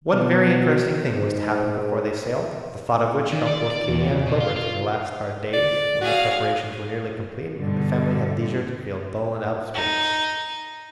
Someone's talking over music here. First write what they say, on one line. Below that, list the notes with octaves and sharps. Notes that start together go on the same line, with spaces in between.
One very interesting thing was to happen before they sailed, the thought of which helped both Katy and Clover through the last hard days, when the preparations were nearly complete, and the family had leisure to feel dull and out of spirits.
B2
G#2
D#3
D5
D5
E2
C#2
B2
F4
F4
D5
F#4 G#4 F5
G2 B2 D3 G3
D#4